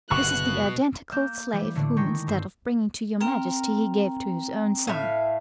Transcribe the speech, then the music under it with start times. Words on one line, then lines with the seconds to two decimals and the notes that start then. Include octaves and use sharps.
This is the identical slave, whom instead of bringing to your Majesty he gave to his own son.
0.11 F#1 B2 D3 C#6 F#6
1.12 A#3 G6 E7
1.52 E3 G3
1.75 A2 D3 A3 D4
1.97 D#3 G#3 G5 C#6 A#6
2.27 G2 C4
3.21 C4 A#4 G5 A#5
4.87 A2 E5 F5